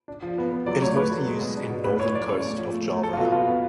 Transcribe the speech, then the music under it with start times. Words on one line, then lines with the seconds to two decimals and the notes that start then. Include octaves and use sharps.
It is mostly used in northern coast of Java.
0.08 D4
0.22 F3
0.38 B3
0.52 B3
0.66 F#3 D5
0.82 A3 C#5
0.96 A3 B4
1.12 F#3
1.26 G#3
1.40 B2
1.56 D4
1.70 B2
1.84 A2 B4
2.00 A2 C#5
2.14 F#3 D5
2.29 C#4 C#5
2.44 A3
2.58 F3
2.74 A3
2.89 A3
3.02 F#3 A4
3.13 F4
3.17 B2 F#4
3.32 B2 F4
3.47 B3